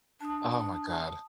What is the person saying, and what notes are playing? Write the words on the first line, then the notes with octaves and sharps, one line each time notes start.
Oh my god.
D4 A5 D#6